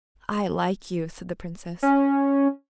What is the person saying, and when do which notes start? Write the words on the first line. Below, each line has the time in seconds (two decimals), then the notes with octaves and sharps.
'I like you!' said the Princess.
1.83 C#4